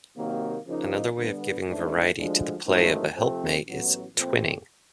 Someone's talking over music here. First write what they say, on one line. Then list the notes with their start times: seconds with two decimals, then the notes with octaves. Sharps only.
Another way of giving variety to the play of a helpmate is "twinning".
0.16 C3 D#3 F#3 A#3
0.66 C#3 F3 A#3 D#4
1.17 D3 G3 B3
1.66 A1 G#2 E3 A3 D4
2.15 D2 D3 F3 G#3
2.65 A1 G#2 D#3 F#3 A3
3.15 C3 F3 A3 C4
3.65 A1 A2 F#3 B3
4.15 A#2 F3 A3 C4